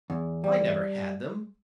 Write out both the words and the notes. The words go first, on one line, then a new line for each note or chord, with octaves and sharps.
"I never had them!"
E2
G3